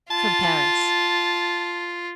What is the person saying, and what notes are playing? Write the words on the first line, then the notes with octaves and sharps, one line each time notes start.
"From Paris."
F4 A5